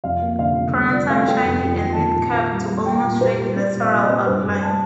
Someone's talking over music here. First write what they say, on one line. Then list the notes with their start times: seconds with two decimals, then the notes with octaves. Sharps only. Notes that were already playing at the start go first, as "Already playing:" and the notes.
Pronotum shiny and with curved to almost straight lateral outline.
0.04 F2 F5
0.21 A#3
0.39 D3 F5
0.57 D3
0.75 C2
0.92 F3 D5
1.10 A3 F5
1.28 A3 G5
1.45 F2 G5
1.63 F2
1.68 G5
1.81 D#3
1.93 A5
1.98 D#3
2.16 A#2
2.33 C4
2.51 G3
2.69 G3
2.86 G3 G5
3.04 A#2
3.21 G3 C5
3.39 G3
3.56 C4 D5
3.74 A#2
3.80 F5
3.92 A#2
4.03 D#5
4.09 C4
4.26 G2 C5
4.45 G2
4.62 A5